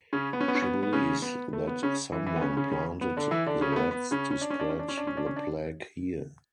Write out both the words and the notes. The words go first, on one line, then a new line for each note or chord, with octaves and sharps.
She believes that someone planted the rats to spread the plague here.
C#3 C#4
B3
C#4
B3
C#4
B3
B3
C#3 C#4
B3
A3
B3
C#3 C#4
E3 E4
E3 E4
B3
C#3 C#4
C#3 C#4
C#3 C#4
B3
D3 D4
E3 E4
D3 D4
C#3 C#4
A3
B3
B3
C#3 C#4
C#4
D4
C#4
D4
C#4
D4
C#4
D4
C#4
D4
C#4
D4